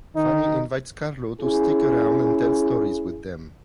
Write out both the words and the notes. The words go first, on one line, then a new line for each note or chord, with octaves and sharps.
Fanny invites Carlo to stick around and tell stories with them.
D#3 D#4
C#4 E4 G#4